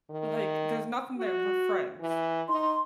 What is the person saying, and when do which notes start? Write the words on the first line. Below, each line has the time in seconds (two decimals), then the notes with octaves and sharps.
like, "There's nothing there, we're friends."
0.10 D#3
1.17 F#4
2.00 E3
2.49 D#4 C6